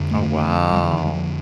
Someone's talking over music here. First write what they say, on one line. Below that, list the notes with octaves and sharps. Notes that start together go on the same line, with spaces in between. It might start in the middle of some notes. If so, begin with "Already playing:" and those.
Oh wow.
Already playing: F2 D3
A3
F2 D3 G3
F3
D#3
G3
F3